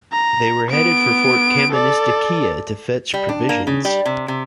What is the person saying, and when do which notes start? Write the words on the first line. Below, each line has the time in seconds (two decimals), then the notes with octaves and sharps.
They were headed for Fort Kaministiquia to fetch provisions.
0.13 A#5
0.71 B3 D7
1.72 A4 D5
3.14 G3
3.29 D4
3.49 A#3
3.67 C#3
3.85 G3
4.05 C3
4.28 C3